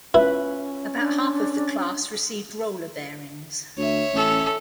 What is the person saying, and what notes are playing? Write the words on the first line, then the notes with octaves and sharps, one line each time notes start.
About half of the class received roller bearings.
C#4 E4 F4 B4
D4
D2 C#5 E5
A1 C#4 A4